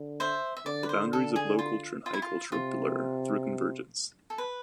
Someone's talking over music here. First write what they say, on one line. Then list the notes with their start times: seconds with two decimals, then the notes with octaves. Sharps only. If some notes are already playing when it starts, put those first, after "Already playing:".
The boundaries of low culture and high culture blur, through convergence.
Already playing: D3
0.20 C5 E5
0.57 E5
0.66 D3 D5
0.83 B4
0.89 C5
1.13 A4
1.36 G#4
1.59 F4
2.06 F4
2.14 E4
2.22 F4
2.52 C3 F4
4.30 A4
4.38 B4